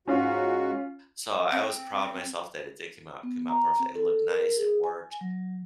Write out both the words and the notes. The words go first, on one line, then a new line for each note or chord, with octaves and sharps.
So, I was proud of myself that it did came out came out perfect. It looked nice, it worked.
G#2 C#4 F4 F#4
C4
B3
A#5
C4
A4
A#4
G#4
G#5
F#3